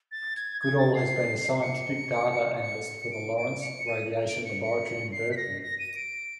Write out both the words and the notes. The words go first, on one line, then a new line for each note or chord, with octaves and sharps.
Goodall had been a scientific data analyst for the Lawrence Radiation Laboratory in Berkeley.
A6
G#6
G#6
A6
C7
C#7
C#7
D7
D7
C#7
D#7
D7
C#7
C#7
C7
B6
A#6
A#6
D#7
D7